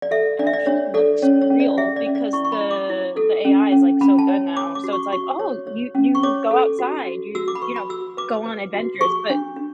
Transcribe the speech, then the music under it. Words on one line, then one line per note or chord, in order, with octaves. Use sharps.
But it actually looks real, because the the AI is, like, so good now. So it's like, "Oh, you you go outside. You, you know, go on adventures." but
D5
A4 E5
D4 D5
E5
D5
D4 C#5
A4 D5
C#4 C#5
C#5
C#4
D5
G#4 E5
D5
C#4
D5
E4 C#6
C#6
B5
E4
D6
E4
A4
C#4
C#4
C#4 B5
A5
C#5
C#5 D6
D6
F#4
C#6
F#4 C#6
C#5
C#5
C#4
C#6
C#5 D6
A4
F#4
F#4
F#4 E6
D6
B5
B4 C#6
B5
F#4 E6
B4 D6
B4
F#4
G#4 C#6
D4
D4